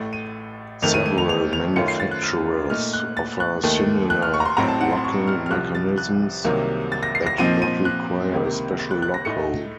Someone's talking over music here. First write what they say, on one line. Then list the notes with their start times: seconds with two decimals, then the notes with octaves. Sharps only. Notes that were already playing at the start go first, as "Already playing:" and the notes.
Several manufacturers offer similar locking mechanisms that do not require a special lock hole.
Already playing: A1 A2 A3
0.13 D#7
0.82 F2 D#3 A3 F7
0.94 D#7
1.06 D#7
1.18 F7
1.29 F7
1.53 F7
1.76 F#2 D#3 A3 C#4 F4 C#7
1.88 C7
2.00 A6
2.11 F#6
2.23 F6
2.70 A#2 A3 D#4 F6
2.93 F#6
3.17 A6
3.40 F#6
3.63 D#2 D#3 A3
4.10 F#6
4.22 F6
4.34 C#6
4.40 A#5
4.45 C6
4.57 A1 A2 F#3 C4 A#5
4.68 A5
4.81 F#5
4.93 C6
5.04 C#6
5.27 F6
5.46 F6
5.51 C2 C3 F3 F#6
5.75 A6
5.98 F#6
6.45 C2 C3 D#3 F#3 A#3
6.92 A6
7.03 A#6
7.15 C7
7.27 A#6
7.38 A#2 F3 C4 D#4 D#7
7.62 D#7
7.85 F#6
8.32 C#2 C3 D#3 A#3
8.79 A6
8.91 F#6
9.02 F#6
9.14 A#6
9.25 A2 A3 D#4 C#7